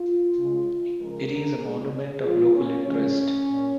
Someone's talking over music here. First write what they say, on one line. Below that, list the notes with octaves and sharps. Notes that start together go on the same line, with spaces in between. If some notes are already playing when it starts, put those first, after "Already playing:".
It is a monument of local interest.
Already playing: F4
C#3 G#3
C#3 F3 G#3 A#4
A#2 G#3 G#4
A#2 F3 G#3 F4
C#4
C#3 F3 G#3 C#4
A#2